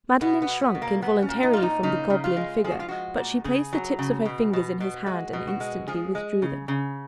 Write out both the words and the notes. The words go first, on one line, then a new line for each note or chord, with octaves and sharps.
Madeline shrunk involuntarily from the goblin figure, but she placed the tips of her fingers in his hand and instantly withdrew them.
B2 B3
B3
B2
B3
B2
A#3
F#3 B3
C#4
A#2
D#4
A#2 F4
D#4
C#3 D#4
C#3
F4
G#3
F3 G#4
F#4
F4
G#3 F#4
A#2
C#3 G#4
F#3
C#3
B2
B2
B2
G#3 F#4
B2
F#4
G#3
F3 G#4
G#3
C#3
C#3